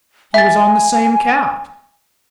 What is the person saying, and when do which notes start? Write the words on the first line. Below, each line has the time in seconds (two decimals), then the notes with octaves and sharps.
He was on the same couch.
0.34 E5 G#5 A6